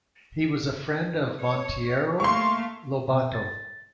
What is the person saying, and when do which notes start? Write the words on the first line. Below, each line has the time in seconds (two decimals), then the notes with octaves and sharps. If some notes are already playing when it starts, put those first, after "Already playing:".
He was friend of Monteiro Lobato.
1.41 C#5
2.20 A3 A#3 F5 C6 C#6
3.11 B2
3.33 A6